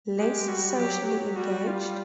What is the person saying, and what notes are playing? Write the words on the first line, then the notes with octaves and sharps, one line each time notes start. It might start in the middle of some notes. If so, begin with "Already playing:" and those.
Less Socially Engaged?
G#3 G4
G3 F#4
F#3 G4
G4
G3 F#4
F4